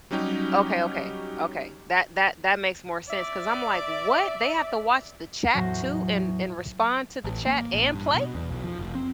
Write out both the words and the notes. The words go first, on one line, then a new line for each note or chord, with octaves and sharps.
Okay, okay, okay. That that that makes more sense ‘cause I'm, like, what? They have to watch the chat too and and respond to the chat and play?
F#3 G3 C#4 D#4 G4
D5 E5
E2 A2 F#3 F#4 C5 A#6
A1
A#3
A1
G2
B2
E2
B1
F3
F1
C4